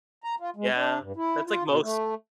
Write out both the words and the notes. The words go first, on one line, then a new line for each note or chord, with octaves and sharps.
Yeah, that's like most
A#5
F4
G#3
D4
G2
E4
F4
B2
A3